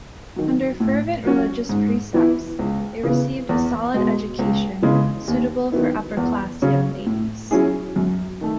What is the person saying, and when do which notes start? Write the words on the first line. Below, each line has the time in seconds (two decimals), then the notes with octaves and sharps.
Under fervent religious precepts, they received a solid education, suitable for upper-class young ladies.
0.36 D#3 F#3
0.80 A2
1.25 F#3 C#4 F#4
1.69 G#2
2.14 E3 B3 E4
2.59 C#2
3.03 C#3 E3 B3
3.49 E2
3.94 B2 G#3
4.39 C#2
4.82 C#3 E3 G#3
5.28 D#2
5.72 D#3 F#3 B3 E4
6.17 E2
6.62 C#3 F#3 C#4
7.06 A2
7.51 F#3 C#4 E4 G#4
7.96 F#2
8.41 D#3 A3